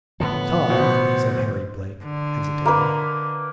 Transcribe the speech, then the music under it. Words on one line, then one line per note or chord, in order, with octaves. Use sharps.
"Tom," said Harry Blake, hesitating.
A2 D3 F3 B3
B2 C5
D3
A#3 B4